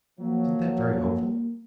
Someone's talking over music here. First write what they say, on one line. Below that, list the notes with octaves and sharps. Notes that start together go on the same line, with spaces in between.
"Isn't that very hopeful?"
F3 F#3 A#3